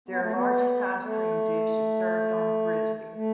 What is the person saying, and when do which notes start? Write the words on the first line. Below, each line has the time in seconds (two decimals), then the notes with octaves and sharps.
Their largest ice cream dish is served on a frisbee.
0.09 B3
0.20 A3
0.33 B3
1.02 A3
3.14 A3